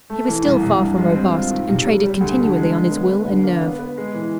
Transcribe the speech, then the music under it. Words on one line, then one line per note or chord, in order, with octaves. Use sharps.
He was still far from robust, and traded continually on his will and nerve.
A3
E3
C2
C2
G2
G#3
C4
F4
D#3
C3
G3
G3
D2
D3
G#3
G#3
B3
B3
D3
A#3
B3
B3
G#3
E3